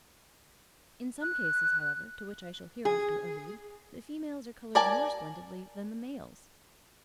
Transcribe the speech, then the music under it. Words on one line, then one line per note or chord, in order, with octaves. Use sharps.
In some cases, however, to which I shall hereafter allude, the females are coloured more splendidly than the males.
F#6
G#4
A#4 D5 G#5 A5